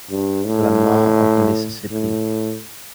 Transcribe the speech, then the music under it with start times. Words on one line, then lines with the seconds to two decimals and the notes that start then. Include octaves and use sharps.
Lamar of Mississippi.
0.11 G2
0.46 A2
1.91 A2